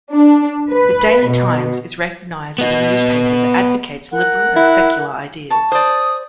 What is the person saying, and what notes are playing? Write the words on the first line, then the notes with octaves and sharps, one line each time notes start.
The "Daily Times" is recognized as a newspaper that advocates liberal and secular ideas.
D4
B4
B2
B3 D#5
A#4 F#5 F#6
E4
A5 C#6
C5 D5 D#6